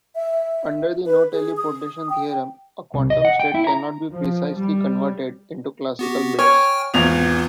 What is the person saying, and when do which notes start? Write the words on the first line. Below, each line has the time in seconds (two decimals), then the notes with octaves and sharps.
Under the no-teleportation theorem, a quantum state cannot be precisely converted into classical bits.
0.15 E5
1.05 B4
1.32 G#4
1.57 D#6
2.10 G5
2.94 C2
3.10 D#5
3.25 F#5
3.40 G5
3.54 E4
3.67 A#5
4.14 F3
4.57 G3
5.99 B3 F#4 G4
6.39 C#5 G5 G#5 F6
6.94 G#1 E2 E3 B3 F4 F7